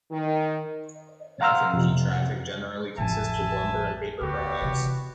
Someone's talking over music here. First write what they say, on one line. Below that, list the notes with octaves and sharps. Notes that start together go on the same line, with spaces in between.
F and P traffic generally consists of lumber and paper products.
D#3
F5 F#5 A#5 C6 E6 F6
F2 C3
A1 F2 E5 G#5 A5
D2 B3 F#4 G4
C3 E3